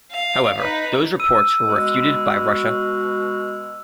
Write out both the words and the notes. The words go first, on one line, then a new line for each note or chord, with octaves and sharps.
However, those reports were refuted by Russia.
F5
D#4 B4
E6 D#7
B2 G#3 F#4